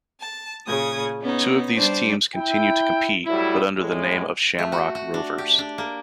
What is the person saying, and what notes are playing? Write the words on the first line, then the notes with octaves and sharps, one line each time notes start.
Two of these teams continue to compete, but under the name of Shamrock Rovers.
A5
A#2 C#3 D#6 G#6
B3 C#4 D#4
G3 D4 C5
E4 G5
A2 F#3 G3 E4
E2 A2 G#3
A3
F#4
F#4
D4
G4
D4
A#3